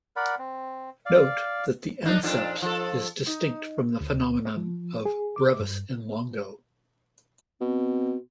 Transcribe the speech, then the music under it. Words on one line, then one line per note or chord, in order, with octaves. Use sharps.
Note that the anceps is distinct from the phenomenon of "brevis in longo".
A#4 D5 F#5 B5
C4
D5 F5
A#3 D4 D#4
F2 A#2 D4
F3 A4
D#4
D2
F3
G#4
D6
G2
B2 C4